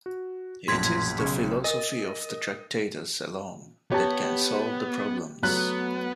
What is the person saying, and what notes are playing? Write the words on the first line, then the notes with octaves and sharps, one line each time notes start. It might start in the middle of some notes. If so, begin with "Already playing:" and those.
It is the philosophy of the Tractatus, alone, that can solve the problems.
F#4
A#1 F#2 A2 C6 G#6 B6
B1 C#3 C#6
A#4 D#5
B3 G4 C#5 A5
F#3 A3 B3 F#6